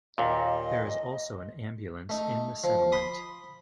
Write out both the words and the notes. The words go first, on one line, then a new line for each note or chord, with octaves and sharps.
There is also an ambulance in the settlement.
D#2 A#2 D#5
A3 D#4
F3
B5 C6 D#6